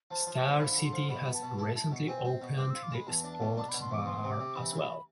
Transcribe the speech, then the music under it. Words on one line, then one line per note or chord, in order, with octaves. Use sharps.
Star City has recently opened the sports bar as well.
F3 A5
F3
A5
F3
C6
D3 B5
D3
C6
F3
B2 B5
B3
A5
B2
E4 A5
E4 A5
B2
C4 G#5
C4
B2
C4 D6
F4 E6
D6
G#3 B5
E2 A5
D4
A5
B2
D4 A5
B2 B5
C6
E2 D6
D2 C6
C3
D6
C3
E3 B5
D2
B5